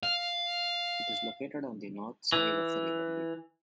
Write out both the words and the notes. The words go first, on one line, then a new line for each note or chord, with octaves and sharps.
It is located on the north side of the River Lee.
F5
E3